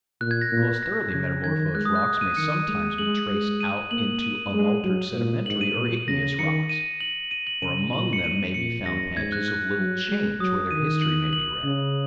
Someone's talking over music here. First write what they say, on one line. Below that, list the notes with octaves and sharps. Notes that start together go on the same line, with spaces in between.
The most thoroughly metamorphosed rocks may sometimes be traced out into unaltered sedimentary or igneous rocks, or among them may be found patches of little change where their history maybe read.
A#2 F#6
G#6
A#6
A#2
A#6
C#3 G#6
D#3 G#6
G#3 F#6
D#6
F#6
D#7
D#3 C#7
D#7
G#3 D#7
G#3 F#7
G#3
D#7
A#3 F#7
D#7
G#3
F#3
A#2
G#2 F#7
D#7
A#2
C#3 A#6
D#3 C#7
D#7
F#7
D#7
F#7
C#3 D#7
A#2 F#7
C#7
G#2 D#7
A#2 C#7
F#2 A#6
G#2 G#6
F#6
F#6
F#3
G#3
F#3 D#6
D#3 D#7
F#7
F#7
C#3